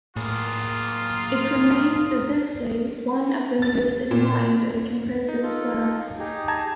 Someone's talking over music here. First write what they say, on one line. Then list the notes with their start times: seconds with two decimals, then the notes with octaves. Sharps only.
It remains to this day one of the most admired of the composer's works.
0.16 A2 A#3 F4 G#4 A#4 D#6
3.62 A6
4.11 A#2
5.29 D#4
5.43 F4 A4
6.19 D#4 G4 G#4
6.48 A5 A#5 G#6